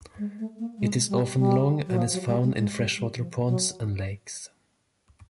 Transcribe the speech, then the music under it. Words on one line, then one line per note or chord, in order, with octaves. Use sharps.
It is often long and is found in freshwater ponds and lakes.
G#3
A3
A#3
G#3
G3
G3
F#3
F3
F#3
G3
G#3
G#3
G3
G3
F3
F#3